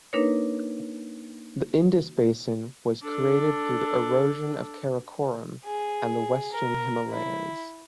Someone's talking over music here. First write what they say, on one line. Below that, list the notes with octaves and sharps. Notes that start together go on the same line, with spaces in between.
The Indus Basin was created through the erosion of Karakoram and the Western Himalayas.
A#3 D4 D#4 A#4 B4 C#5
D4 A4
G#4
A#4
E4